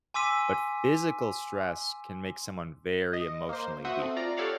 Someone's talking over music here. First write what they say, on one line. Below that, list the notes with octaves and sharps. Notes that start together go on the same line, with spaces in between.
but physical stress can make someone very emotionally weak,
G#5 C6 D6 E6 B6 D#7
D#5
A#3 C5
F#4 C5 E5 F#5 D#6
A3 C4
F4 D5 A#5
G4 A4 C#5 D5 F5 F#5